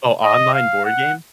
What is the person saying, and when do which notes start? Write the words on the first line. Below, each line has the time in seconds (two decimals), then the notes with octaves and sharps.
Oh, online board games?
0.24 D#5
0.54 F5
0.85 F#5